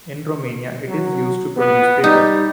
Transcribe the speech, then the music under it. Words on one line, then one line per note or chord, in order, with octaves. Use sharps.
In Romania it is used to produce paper.
F#3
B3
G3 D#4